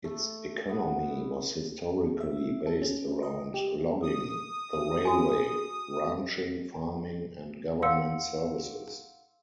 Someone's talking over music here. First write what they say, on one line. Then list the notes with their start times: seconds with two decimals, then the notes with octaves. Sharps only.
Its economy was historically based around logging, the railway, ranching, farming, and government services.
0.04 A3
0.69 B3
2.21 E5
2.67 A4
2.82 C#4
3.23 D#5
3.54 G4
4.03 D#6
5.05 F#4 G#5
7.82 F5 F#5 C6 E6 C#7